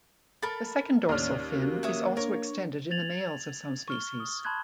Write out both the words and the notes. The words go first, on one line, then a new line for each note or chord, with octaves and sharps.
The second dorsal fin is also extended in the males of some species.
A4 A#4 B5 A6
D#2 A2 C#4 C#5 D5 F6
A#3 C#4 F#4 G4
C#5 E5 D#6
D4 A#4 C#5
G#6 A6 F7 F#7
C#6 F6 G7
D#6
A5 B5 C6 F#6 G#6